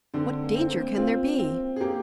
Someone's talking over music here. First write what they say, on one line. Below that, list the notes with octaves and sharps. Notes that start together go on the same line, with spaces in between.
"What danger can there be?"
D3 C4
A#3
C4
A#3
C4 F4
C4
G#4
A#3 G4